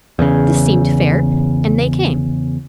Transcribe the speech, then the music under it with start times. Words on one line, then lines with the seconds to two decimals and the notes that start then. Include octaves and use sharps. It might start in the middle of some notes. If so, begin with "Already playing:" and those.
This seemed fair, and they came.
0.19 E2 C#3